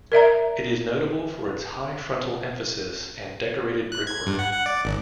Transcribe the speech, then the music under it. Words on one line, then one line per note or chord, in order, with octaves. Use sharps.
It is notable for its high frontal emphasis and decorated brickwork.
A#4 D5 E5 A#5
F#6
G#6
G2
F#5
F#5
D5
G#1